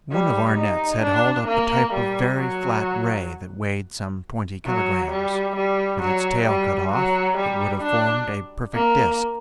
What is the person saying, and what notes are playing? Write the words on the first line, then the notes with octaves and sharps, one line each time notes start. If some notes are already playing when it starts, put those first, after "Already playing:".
One of our nets had hauled up a type of very flat ray that weighed some twenty kilograms; with its tail cut off, it would have formed a perfect disk.
G3
D#4
D4
A#3
G3
F#3
F#3
G3
G3
F#3
G3
F#3
G3
D4
A#3